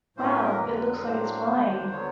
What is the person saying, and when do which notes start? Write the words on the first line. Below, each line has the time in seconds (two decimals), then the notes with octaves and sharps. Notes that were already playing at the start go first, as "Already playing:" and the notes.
Wow! It looks like it is flying!
0.17 A2 F#3 A#3 C#4 C5
0.30 B4
0.43 A#4
0.57 F2 D3 F#3 B4
1.03 A2 F#3 A#3 D4 C5
1.48 D#2 D3 G3 A#3 D4
1.91 D3 F#3 B3 C#5